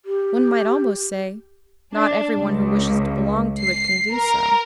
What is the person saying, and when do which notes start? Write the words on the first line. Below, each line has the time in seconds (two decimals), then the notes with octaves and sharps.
One might almost say: Not every one who wishes to belong to it can do so.
0.05 G4
1.94 D4
2.38 C#2
3.61 C7
4.13 A#4